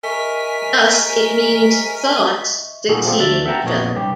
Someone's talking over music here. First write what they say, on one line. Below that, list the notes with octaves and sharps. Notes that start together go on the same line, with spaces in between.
Thus it means "thoughts succeeding each other".
A#4 D#5 E5 G#5 C#6 B6
A#2 D#3 G3 F#4 G#4 A4
F3 A3 B3 C4 F4 G4
D2 D4 E5 A6
E5 F#5 G5 A5 A#5
A#1 F2 A#2 B3 C#5 D#5
C2 G2 G4